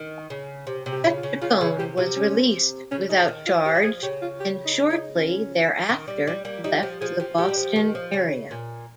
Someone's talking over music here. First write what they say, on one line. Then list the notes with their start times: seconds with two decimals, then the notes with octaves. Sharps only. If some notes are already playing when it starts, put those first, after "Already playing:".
Petricone was released without charge, and shortly thereafter left the Boston area.
Already playing: D#3
0.30 C#3
0.67 C3
0.86 C3
0.92 G4
1.04 C#3
1.17 F4
1.23 C#3
1.42 C#3 F4
1.61 C#3 G#4
1.79 C3 G4
1.98 C3 F4
2.16 C#4
2.91 C#3 C#4
3.09 C#3 D#4
3.20 F3
3.28 D#3
3.47 F3 F4
3.65 F3 G4
3.75 G3
3.83 F3 G#4
4.03 C#3 G4
4.22 F4
4.40 G4
4.65 D#4
4.90 D#4
5.15 C#4
5.90 D#3
6.08 G3
6.27 G3
6.45 G3 A#3
6.64 G3 D#4
6.83 F3 G4
7.01 F3 G#4
7.20 F3 G4
7.38 D#3 G4
7.49 G3
7.57 F3
7.76 D#3
7.95 F3
8.13 C#3
8.51 A#2